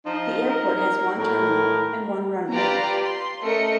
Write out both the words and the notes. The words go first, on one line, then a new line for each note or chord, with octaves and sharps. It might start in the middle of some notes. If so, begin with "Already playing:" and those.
The airport has one terminal and one runway.
F3 D#4
A#4
A2 A#4
F4 G4 B4 D5 A#5
C6
A3 C#4 A#4 D#5 C#7